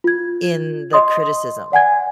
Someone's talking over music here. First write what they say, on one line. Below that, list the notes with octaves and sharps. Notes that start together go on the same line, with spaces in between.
...in the criticism.
F4 G#6
D#5 C6 D#6
D5 F#5 G#5 G#6